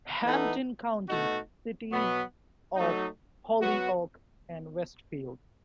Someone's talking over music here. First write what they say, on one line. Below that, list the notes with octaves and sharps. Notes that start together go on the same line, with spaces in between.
Hampden County: Cities of Holyoke and Westfield.
E3 B3 D#4 A4
B2 A3 D#4 F#4
B2 F#3 B3
F#3 A3 D#4
F#3 B3 F#4